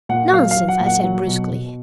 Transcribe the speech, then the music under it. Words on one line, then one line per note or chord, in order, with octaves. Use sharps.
"Nonsense!" I said bruskly.
A#2 F#5
F#3 F5
F5
F#3
F#5
A#2
F#5
F#3
B2
B2